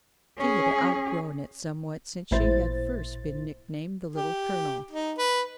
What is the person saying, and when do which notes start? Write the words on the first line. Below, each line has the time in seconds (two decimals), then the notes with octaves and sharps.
She had outgrown it somewhat since she had first been nicknamed the Little Colonel.
0.37 C#4 G#4
2.31 A1 A#2 E4 C5 A6
4.16 G4
4.91 D#4
5.18 B4